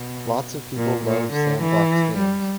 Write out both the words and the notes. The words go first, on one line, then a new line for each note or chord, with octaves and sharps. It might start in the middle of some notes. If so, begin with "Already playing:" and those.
Lots of people love sandbox games.
Already playing: B2
A#2
A#2
D3
E3
G3